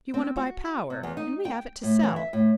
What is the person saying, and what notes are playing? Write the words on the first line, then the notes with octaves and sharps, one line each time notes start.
You want to buy power, and we have it to sell.
C4
F#4
C3
E2
D#4
G5
A2
E3
E5
A2